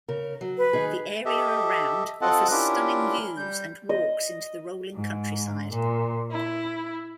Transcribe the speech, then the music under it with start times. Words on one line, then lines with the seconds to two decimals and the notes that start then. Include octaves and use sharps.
The area around offers stunning views and walks into the rolling countryside.
0.08 C#3 A#4
0.41 F#3
0.58 B4
0.73 D#3 D#4 G#4
1.26 G4 A4 D#5 E5
2.21 C4 F4 A4 D#5 F#5 A5
2.51 C#4 D4 E4 F4 G4 A#4
3.37 G3 G6
3.89 D#5
4.95 G#2
5.72 A#2
6.31 E4